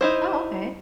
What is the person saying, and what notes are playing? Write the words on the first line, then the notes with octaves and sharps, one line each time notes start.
Oh, okay.
D#4 E4 C5